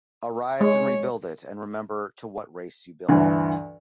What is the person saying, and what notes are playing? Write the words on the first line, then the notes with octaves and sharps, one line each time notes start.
Arise and rebuild it, and remember to what race you belong.
G#3 C#5
D2 G2 E3